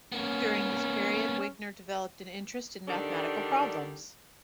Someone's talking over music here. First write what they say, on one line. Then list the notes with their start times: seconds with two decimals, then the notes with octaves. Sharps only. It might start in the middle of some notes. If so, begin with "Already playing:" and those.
During this period, Wigner developed an interest in mathematical problems.
0.12 A#3 B3 C#4
2.88 D3 D#3 G3 D4 A4